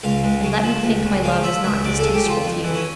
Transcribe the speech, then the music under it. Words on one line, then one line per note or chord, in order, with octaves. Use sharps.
And let me think my love is not distasteful to you.
C#2 F5
C#2
C#3
F3
C#2
C#2
C#3 F5
F3 E5
C#2 E5
C#2 D5
A4
C#3
G4
F3 F4
F2
E3
C#4